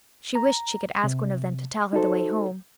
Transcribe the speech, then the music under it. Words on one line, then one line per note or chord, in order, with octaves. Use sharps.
She wished she could ask one of them to tell her the way home.
A#5
C3
D#4 F#4 A4 C5